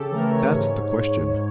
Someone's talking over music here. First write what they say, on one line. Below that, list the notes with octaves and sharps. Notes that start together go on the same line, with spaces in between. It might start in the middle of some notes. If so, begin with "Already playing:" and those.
That's the question.'
Already playing: C#3 G4 A4
E3 A3 A#4
C#5
G#2